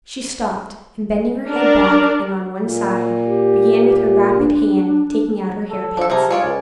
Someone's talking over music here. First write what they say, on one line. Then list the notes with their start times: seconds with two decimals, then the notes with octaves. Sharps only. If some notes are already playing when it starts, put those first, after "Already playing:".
She stopped, and bending her head back and on one side, began with her rapid hand taking out her hairpins.
1.48 D4 A#4 D5
2.60 A#2
3.24 G4
4.37 D4
5.70 A4
5.97 F3 D4 A4
6.10 C3 F3 G#4 A#5
6.31 G#3 F4 C#5 D5
6.45 C#2